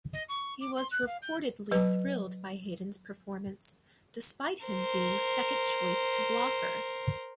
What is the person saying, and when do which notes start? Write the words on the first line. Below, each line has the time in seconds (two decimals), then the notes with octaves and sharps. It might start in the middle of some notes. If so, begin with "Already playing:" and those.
He was reportedly thrilled by Hayden's performance, despite him being second choice to Blocker.
0.13 D#5
0.29 C#6
0.61 D6
0.77 C6
0.91 F#6
1.07 F5
1.22 G6
1.71 F#3 B4
4.66 A#4 C5